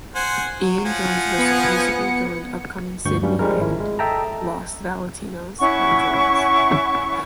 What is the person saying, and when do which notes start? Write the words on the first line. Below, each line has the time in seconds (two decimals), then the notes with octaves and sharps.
Ian Jones recently joined upcoming Sydney band, Lost Valentinos on drums.
0.15 C5 F#5 G#5
0.61 F#3
0.85 F3 F#5 G#5
1.38 B3 C#7
3.05 D2 G2 C#6 G6
3.23 G2 F#3 G3 C#4
3.39 F3 G3 G#3 A#4
3.58 G#1 E4
3.80 G#3
3.99 A4 D#5 E5 G5 A5 A#5
5.60 C#4 E4 F#5 C#6